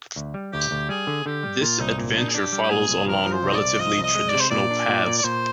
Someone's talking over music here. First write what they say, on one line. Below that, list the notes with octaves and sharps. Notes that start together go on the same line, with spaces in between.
This adventure follows along relatively traditional paths.
D2
G3
D2 G4
D2
G3 G#4
D3
D3 G4
G3
A#2 F4
C2 D#4
A#2
D4 D#4
G#4
D4 G4
G3
G4
A#2 G#4
C2
F3 A#4
F3
C5
C2
D#5
D5
C2
F3 D#5
C2
D#5
G#3
D5
C3
C5
A#2 D5
D4
A#2
A#2
D5
A#2 C5